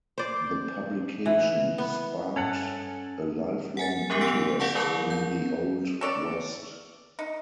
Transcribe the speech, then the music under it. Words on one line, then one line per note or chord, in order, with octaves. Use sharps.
The publication sparked a lifelong interest in the Old West.
C5 D5
E3
B3
G2 C#4 A4 F#5 G#5
F#5 G#5 A6
F3 B3 G4 A#4
F#5 E6 B6 D7
D5 F5 F#5 A5 C#6
D#3 F#3 E4 A#4 G6
G6
A4 C#5 D5
D#4